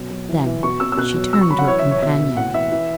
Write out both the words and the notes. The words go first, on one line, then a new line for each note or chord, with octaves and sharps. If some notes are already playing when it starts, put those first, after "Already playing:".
Then she turned to her companion.
Already playing: B2 F#3
F#3
E3
E3
B2 C#6
B2 E6
E6
B2 F#6
F#3
F#3 E6
C#6
F#3 B5
F#5
E3 C#5
E5
E3
C#5
B2 E5
B2
A2 F#5
E3 E5
E3